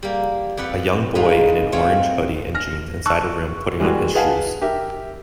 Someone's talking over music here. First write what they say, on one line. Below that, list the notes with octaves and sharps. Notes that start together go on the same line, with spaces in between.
A young boy in an orange hoodie and jeans inside a room putting on his shoes.
G3 A#3
F2 G4 B4 F#5
G#2 G#3 D#4 F4 B5
A3 C4 F4 C#5 F5 G#5
F6 A#6
A5 C#6 E6 F#6
E3 G3 G#3 A#3 F#4
G#4 B4 F5 F#5 G#5 A5
G4 A#4 E5